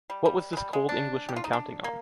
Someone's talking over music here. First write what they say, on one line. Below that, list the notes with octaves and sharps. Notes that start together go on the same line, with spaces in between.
What was this cold Englishman counting on?
G3
G3
G#3
G3
G#3
D4
G4
F4
D#4
D4
A#3